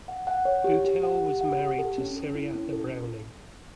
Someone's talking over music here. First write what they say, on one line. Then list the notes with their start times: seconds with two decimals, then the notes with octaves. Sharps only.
Buetel was married to Cereatha Browning.
0.08 F#5
0.27 F#5
0.45 C#5
0.64 G4
0.84 G4
1.03 F#5
1.22 G4
1.41 F#5
1.60 G4
1.79 A4
1.98 C#4
2.16 A4
2.35 E4
2.55 C#4
2.73 A4